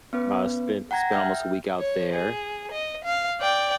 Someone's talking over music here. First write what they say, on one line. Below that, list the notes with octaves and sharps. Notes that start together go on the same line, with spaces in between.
uh, spent spent almost a week out there.
B3 C#4 B4
F#5 G5 A#5 G#6 A#6
E5 G5 F6 G6
C#5
G#4
D#5
F5
D5 G5